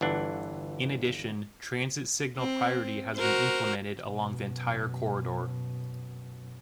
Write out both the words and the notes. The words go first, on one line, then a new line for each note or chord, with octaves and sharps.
In addition, transit signal priority has been implemented along the entire corridor.
G1 E3 D4 F#5
C4
F#4 A#4 C5
F#2 B2